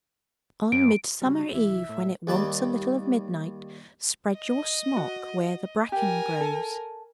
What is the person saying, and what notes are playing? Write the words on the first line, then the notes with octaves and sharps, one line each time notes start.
'On Midsummer Eve, when it wants a little of midnight, spread your smock where the bracken grows.
F#2 D7
C#3 G3 F#4
C2 E3 E5
A2
D#2 G3 A5
D#5
F#4
G4 A#4 G#5
A4